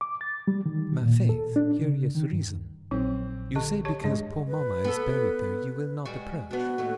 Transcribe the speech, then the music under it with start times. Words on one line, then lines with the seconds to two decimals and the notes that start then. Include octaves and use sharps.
'My faith, curious reason; you say because poor mamma is buried there you will not approach!
0.01 D6
0.21 A6
0.48 G3
0.66 D#3
1.02 A#2
1.29 A4
1.56 D4
1.79 C#3
2.15 D#3
2.32 G2
2.91 A#1 F#3 C4
3.55 D3 G4 D#5
3.85 G4 C#5 A5
4.04 G2 G#3 D#5
4.48 B4
4.84 B3 A4
6.05 G3 G#3 F#4
6.51 B3 D4 F#4
6.78 D#2 A2 A3